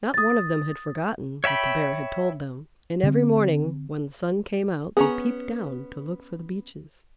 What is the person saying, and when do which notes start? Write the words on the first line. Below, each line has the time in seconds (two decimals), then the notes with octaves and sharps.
Not one of them had forgotten what the Bear had told them, and every morning when the sun came out they peeped down to look for the Beeches.
0.14 D#6 A6
1.44 C#5 E5 G5 B5
3.03 D3 C4
4.97 B3 C#4 G#4 A#5 C#6